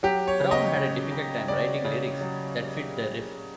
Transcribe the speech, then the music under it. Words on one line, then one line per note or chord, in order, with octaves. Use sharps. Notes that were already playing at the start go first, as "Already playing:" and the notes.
Brown had a difficult time writing lyrics that fit the riff.
F#3 G4
C#5
C#3
D#5
C#3
C#3
C#3 D5
C#3
F#3